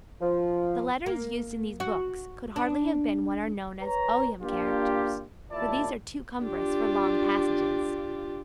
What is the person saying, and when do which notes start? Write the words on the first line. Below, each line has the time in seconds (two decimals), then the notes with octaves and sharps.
The letters used in these books could hardly have been what are known as Ogham characters, for these are too cumbrous for long passages.
0.21 F3
1.06 A#3
1.80 F#4
2.56 D4
3.81 B4 C#5 A#5
4.42 A#3 D4 F4 G4
5.51 D#2 A#2 E4 D5 E5 A5
6.41 D4 F4 G4